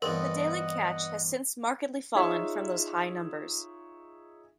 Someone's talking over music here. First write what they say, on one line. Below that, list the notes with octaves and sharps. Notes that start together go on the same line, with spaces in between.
The daily catch has since markedly fallen from those high numbers.
E2 G2 C4 A#4 D#5 F#5
D#4 F4 G#4 C#5 E5